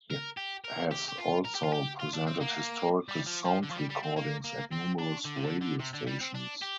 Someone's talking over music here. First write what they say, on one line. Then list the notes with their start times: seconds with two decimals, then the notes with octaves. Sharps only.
He has also presented historical sound recordings at numerous radio stations.
0.10 A#4
0.37 G4
0.65 A#4
0.92 G4
1.09 G4
1.18 F4
1.45 A#4
1.55 G4
1.64 F4
1.73 G4
2.00 F4
2.13 D4
2.27 C4
2.40 A#3
3.08 G3
3.26 F3
3.45 F3
3.63 D3
3.70 F3
3.76 G3
3.90 G3
4.03 C4
4.17 A#3
4.44 A#3
4.71 C4
4.98 D4
5.25 D3
5.37 C3
5.44 D3
5.62 D3
5.80 C3
5.94 D3
6.07 G3
6.21 C4
6.34 D4
6.62 G4